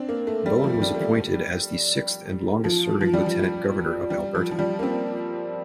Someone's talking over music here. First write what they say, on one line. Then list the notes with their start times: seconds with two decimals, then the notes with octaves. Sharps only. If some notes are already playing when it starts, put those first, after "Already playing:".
Bowen was appointed as the sixth and longest-serving Lieutenant Governor of Alberta.
Already playing: C4 D4
0.09 A#3
0.27 A3
0.46 G3
0.64 F3
0.82 G3
0.95 A3
1.00 G3
2.64 F3
3.01 F3
3.14 G3
3.26 F3
4.10 G3
4.35 F3
4.51 F3
4.59 G3
4.79 A#3
4.83 C4